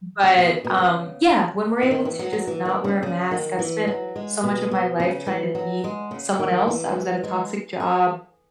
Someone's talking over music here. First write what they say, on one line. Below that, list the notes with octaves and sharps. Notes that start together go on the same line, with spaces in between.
but, um, yeah, when we're able to just not wear a mask, I've spent so much of my life trying to be someone else. I was at a toxic job
C#3
B2
C#3
B2
C#3
E3
D#3
E3
F#3
F#3
E3
D#3
C#3
C#3
D#3
E3
F#3
G#3
B2
B2
C#3
E3
F#3
G#3
C#3
D#3
E3
E3
G#3
G#4